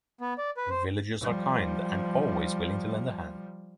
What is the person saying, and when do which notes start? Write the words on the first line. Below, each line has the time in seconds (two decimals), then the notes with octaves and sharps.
Villagers are kind and always willing to lend a hand.
0.21 B3
0.38 D5
0.57 B4
0.70 C5
1.21 F3 G3